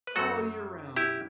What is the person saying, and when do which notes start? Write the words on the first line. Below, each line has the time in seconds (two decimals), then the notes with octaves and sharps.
All year round.
0.07 B4
0.16 F#2 F#3 A3 F#4 A4
0.96 E4 G4